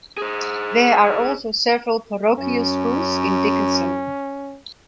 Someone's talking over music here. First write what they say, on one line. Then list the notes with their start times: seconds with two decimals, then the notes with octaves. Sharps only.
There are also several parochial schools in Dickinson.
0.18 G#4 C5
2.39 F#2 C#4